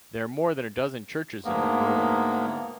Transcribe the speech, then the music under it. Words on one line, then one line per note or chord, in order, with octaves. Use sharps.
There are more than a dozen churches in the borough.
D2 G#2 A#3 B3